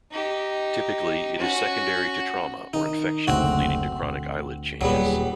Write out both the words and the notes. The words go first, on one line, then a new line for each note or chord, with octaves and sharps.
Typically it is secondary to trauma, or infection leading to chronic eyelid changes.
D#4 G4
C#4 F#4
D#3 D#4
F#1 D2 C4 F#4
D2
D#1 F#3 G3 B3 G#4 B5